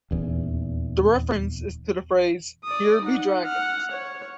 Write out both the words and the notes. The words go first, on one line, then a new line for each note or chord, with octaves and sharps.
The reference is to the phrase "Here be dragons".
D#1 E2
D5 D#6
D#4 F#5
F#5 F6
C#5